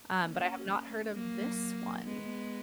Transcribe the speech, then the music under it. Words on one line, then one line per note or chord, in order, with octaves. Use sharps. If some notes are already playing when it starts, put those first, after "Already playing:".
um, but I have not heard of this one.
A#3 C#4
F#3 A#3
G#3 B3